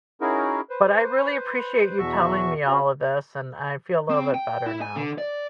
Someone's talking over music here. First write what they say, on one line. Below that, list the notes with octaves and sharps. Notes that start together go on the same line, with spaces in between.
But, I really appreciate you telling me all of this, and I feel a little bit better now.
C#4 D#4 E4 F#4 G#4 A#4
B4 C5
E2 B2 F#4 E5 C#6
C4 C#4 F4 F#4
C4
G5
E4
G#5
D3
D5